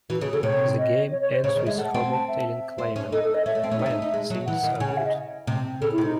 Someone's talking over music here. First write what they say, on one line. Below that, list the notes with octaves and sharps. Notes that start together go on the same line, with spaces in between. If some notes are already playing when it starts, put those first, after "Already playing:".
The game ends with Hoborg telling Klaymen "Man, things are good".
E3 F#4
C#3 G#4
C#3 A4
C3 C#5
D#5
C#5
C#5
C5
C#3 C#5
D#3
G#3 E5
A3 F#5
C4
A5
E5
C4
C#4
D#4 A4
A4
D#5
C#4 E5
A3
C4
C#4
D#4
C#4
D#4
D#4
G#3
F#3
E3 F#5
D#3
C#3 G#5
F#5
E5
D#5
C3
C#3 A4
E4
C3
D#4